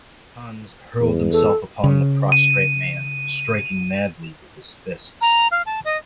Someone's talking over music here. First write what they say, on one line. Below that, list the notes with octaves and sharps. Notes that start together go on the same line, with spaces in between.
Hans hurled himself upon the prostrate man, striking madly with his fists.
E2
A4
C#3
D#7
A#5
F5
A5
D#5